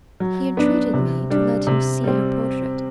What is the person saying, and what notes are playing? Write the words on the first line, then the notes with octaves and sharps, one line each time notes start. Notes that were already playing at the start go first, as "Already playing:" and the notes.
He entreated me to let him see her portrait.
F#3
B3 D4
C3
G3 D4
C3
G3 C4